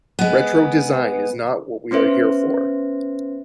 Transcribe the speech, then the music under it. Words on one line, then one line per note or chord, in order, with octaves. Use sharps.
Retro design is not what we are here for.
G#3 B3
B3 C#4 B4 C5 E5